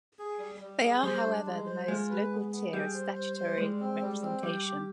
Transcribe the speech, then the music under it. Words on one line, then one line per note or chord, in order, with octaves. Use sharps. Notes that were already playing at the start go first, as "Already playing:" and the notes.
They are however the most local tier of statutory representation.
G#4
G3
G3
G#4
G3 C5
D4
G#3
C5
G#3 F4
B4
B3
B3
G3 G#4
C5
C5
C5
G3 G#3
C4
G3
C4
G3 G4
G4